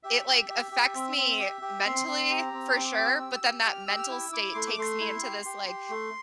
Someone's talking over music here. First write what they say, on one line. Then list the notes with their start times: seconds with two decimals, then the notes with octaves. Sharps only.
it, like, affects me mentally, for sure, but, then that mental state takes me into this, like
0.03 G4 E5
0.26 G4
0.49 G4
0.71 G4
0.94 C4
1.17 C4
1.39 G4
1.62 G4
1.84 C4 C6
2.07 C4
2.30 G4 A#5
2.52 C4
2.70 C6
2.74 C4 D6
2.97 G4
3.05 E6
3.19 G4
3.35 E6
3.41 G4
3.65 G4 F6
3.87 G4 E6
3.99 F6
4.09 E4 E6
4.32 E4 D6
4.54 A3 C6
4.67 D6
4.77 A3 C6
5.00 E4
5.22 G4
5.45 G4
5.68 G4
5.90 A3